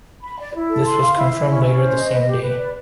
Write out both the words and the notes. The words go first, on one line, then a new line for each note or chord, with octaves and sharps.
This was confirmed later the same day.
B5
D5
E4
A4
C6
F5
E4
E4
C#4
C#4
C5
D#5
B4
G4
B4
D5